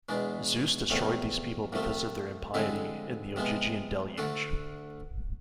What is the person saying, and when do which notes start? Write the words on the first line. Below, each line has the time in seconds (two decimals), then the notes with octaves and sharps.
Zeus destroyed these people because of their impiety, in the Ogygian Deluge.
0.09 E2 B2 G#3 D4
0.90 E2 C3 F3 A3
1.73 C2 C3 F3 A3
2.54 F2 D3 G#3 C4 E4
3.36 C3 F3 G#3 B3
4.18 D2 D3 A3 D4 A4